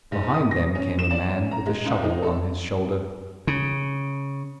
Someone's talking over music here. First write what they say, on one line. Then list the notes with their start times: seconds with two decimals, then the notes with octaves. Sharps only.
Behind them came a man, with a shovel on his shoulder.
0.12 G#2
0.34 D#6
0.51 A#6
0.75 C#4
0.99 E7
1.11 D5
1.29 C#4
1.51 A#5
1.67 G#3
1.86 C#2
2.04 D#4
2.23 A4
3.47 C#3